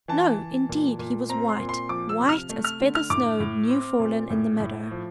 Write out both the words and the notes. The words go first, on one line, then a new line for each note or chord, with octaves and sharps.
No, indeed; he was white--white as feather-snow new fallen in the meadow.
E3 A5
E3
A#2
A#2
C4 A#5
C6
A#2
C6
F3 D6
E6
C3
F6
A3
F6
D3
F6
A2 D6
A2
C4
A#2
A2
A2
F3